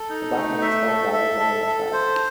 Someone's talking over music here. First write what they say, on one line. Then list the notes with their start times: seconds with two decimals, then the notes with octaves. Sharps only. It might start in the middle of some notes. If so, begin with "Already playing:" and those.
The black and white spotted dog is running outside.
Already playing: A4
0.09 D#4
0.35 A3
0.62 E5
0.88 A4
1.13 E5
1.40 A4
1.67 A4
1.93 C5